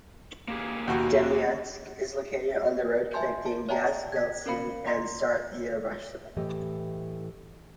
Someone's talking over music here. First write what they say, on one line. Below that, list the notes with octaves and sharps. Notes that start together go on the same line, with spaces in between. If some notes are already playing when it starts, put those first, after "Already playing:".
Demyansk is located on the road connecting Yazhelbitsy and Staraya Russa.
A#3 G4 G#4
D#2 B2 F#4
E5 G#5 A5 C6 G6
A5
C#5 D5 E5 G5 A5 A#5
G#6 B6
C#4 A#4 C5 F5 B5 C#7
D#5 A#5 C6
A2 E3 A3 G4 D#5